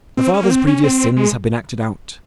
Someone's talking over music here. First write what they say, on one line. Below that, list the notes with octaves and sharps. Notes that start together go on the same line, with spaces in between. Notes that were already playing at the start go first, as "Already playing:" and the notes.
The father's previous sins have been acted out.
C4
C#4
A#3
C4
C#4
C4
G#3